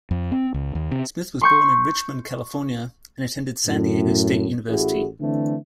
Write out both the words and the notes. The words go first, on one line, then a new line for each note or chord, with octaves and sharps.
Smith was born in Richmond, California, and attended San Diego State University.
F2
C4
C#2
D#2
C3
C6 C#6 G6
F#2 A2
A1 E4 F#4 G#4
D3 E3 A3 C4 D4